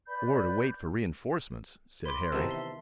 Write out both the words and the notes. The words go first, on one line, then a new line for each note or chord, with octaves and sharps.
"Or to wait for reinforcements," said Harry.
B4 D5 B5 G6
B5 C6 D6
C3 D#3 E3 B3 A5 E6
E5 C7 G7